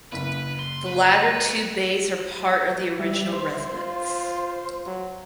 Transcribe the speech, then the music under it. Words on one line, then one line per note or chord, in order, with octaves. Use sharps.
The latter two bays are part of the original residence.
F#1 B4 B6
C6
B4
G3 E5
C5
F4
F#3